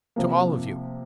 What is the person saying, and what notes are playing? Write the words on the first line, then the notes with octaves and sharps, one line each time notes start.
To all of you.
C3 F3 A#3